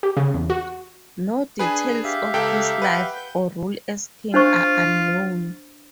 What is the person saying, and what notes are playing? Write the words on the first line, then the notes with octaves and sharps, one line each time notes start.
No details of his life, or rule as king, are known.
G4
C#3
E2
F#4
D4 G#4 B4 G#5
G4 E5 F5
C#2 A4 G5
B4 F#5 G5
G6
D4 F4 C5 C#6